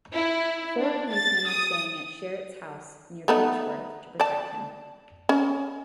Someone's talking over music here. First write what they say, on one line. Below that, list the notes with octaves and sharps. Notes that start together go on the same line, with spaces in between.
Four policemen were staying at Sherritt's house, near Beechworth, to protect him.
E4
D4
A6
D#6
A3 B3 D#4
D5 A5
C#4